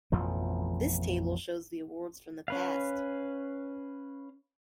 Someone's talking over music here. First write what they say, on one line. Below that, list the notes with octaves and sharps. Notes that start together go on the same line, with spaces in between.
This table shows the awards from the past.
A1 F2 B2 F3
C#4 B4 F5